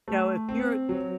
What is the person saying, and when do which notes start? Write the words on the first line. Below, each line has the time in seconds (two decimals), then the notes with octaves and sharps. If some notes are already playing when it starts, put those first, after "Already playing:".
You know, if you're
0.08 A3
0.49 C4
0.89 F#3